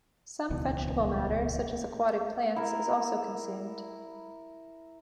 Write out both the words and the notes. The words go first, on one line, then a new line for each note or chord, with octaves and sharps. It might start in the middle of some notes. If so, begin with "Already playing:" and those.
Some vegetable matter such as aquatic plants is also consumed.
D#1 C#2 B2 E3
E4 A#4